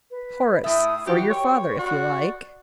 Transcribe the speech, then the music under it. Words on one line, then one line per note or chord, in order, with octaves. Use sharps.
"Horace, for your father, if you like."
B4
A2 E5 D#6
E3 F#4 G4
C#5 G5
F#4 D5